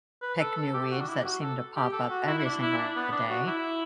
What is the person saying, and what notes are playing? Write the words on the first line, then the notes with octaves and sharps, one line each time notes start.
pick new weeds that seem to pop up every single day,
B4
A4
A4
G4
F#4
D4
E4
G4
F#4
A4
G4
A4
F#4
E4
E4
D4
E4
D4
B3
D4
F#4
E4